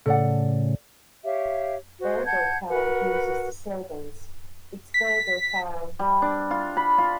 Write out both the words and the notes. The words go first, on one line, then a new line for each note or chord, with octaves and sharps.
Burger Time uses the slogans It's Burgertime!
A2 C#3 A4 D5 F#5
G4 C#5 E5 F5
F#4 C5
F#5 A5 G6 G#6
F#4 A#4 B4 F#5
B6
G3
D4
F4
B5
F4